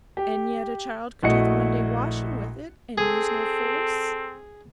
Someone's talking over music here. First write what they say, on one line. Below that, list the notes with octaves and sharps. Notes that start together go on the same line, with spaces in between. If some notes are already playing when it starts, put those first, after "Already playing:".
"And yet a child could do the Monday washing with it and use no force."
G4
A#1 A3 E4 F#4 D#5 C#7
C4 G#4 A4